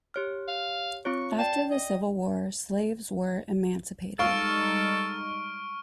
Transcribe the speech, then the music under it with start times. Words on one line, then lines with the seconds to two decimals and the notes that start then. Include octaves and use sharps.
After the Civil War, slaves were emancipated.
0.14 G4 C#5 F6
0.48 F5
1.05 C4 F4 C#5 C#6
1.39 D5 G5 A5
1.71 D#5
4.19 G3 G#3 D#4 A4 F5 C#6 F6 D7